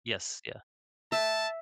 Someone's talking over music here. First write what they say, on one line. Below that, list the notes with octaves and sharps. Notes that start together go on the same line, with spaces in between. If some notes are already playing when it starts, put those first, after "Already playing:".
Yes, yeah.
E5 A5